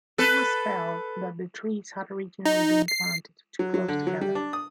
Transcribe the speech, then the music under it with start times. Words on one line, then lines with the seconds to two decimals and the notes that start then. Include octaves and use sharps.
It was felt that the trees had originally been planted too close together.
0.18 A4 B4
2.45 D#4
2.88 C7
3.59 F#3
3.74 F#3
3.88 D3
4.07 F#3
4.21 G3
4.35 D4
4.53 D#6